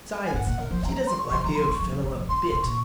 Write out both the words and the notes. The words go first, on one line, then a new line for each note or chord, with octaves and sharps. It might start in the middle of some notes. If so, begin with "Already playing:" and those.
Besides, she doesn't like the Old Fellow a bit.
G#5
G#2 F#5
A#2 F#5
D#3 A#4
F3 C5
F#3 A#5
A#5
C6
C#6
F3 C6
F#3 A#5
F#3 C6
G#3 C#6
F#3
F#3
G#3
F3
C#3 C6
C6
C3
A#2 C#6